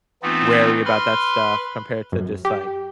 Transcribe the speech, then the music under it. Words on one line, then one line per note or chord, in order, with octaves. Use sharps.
wary about that stuff compared to just, like
E3 A3 B3 C4 D#4 F4
B4 B5 C6 F6
F#2
G4